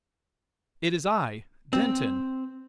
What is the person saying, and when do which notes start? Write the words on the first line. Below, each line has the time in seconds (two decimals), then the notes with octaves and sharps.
It is I--Denton.
1.73 C4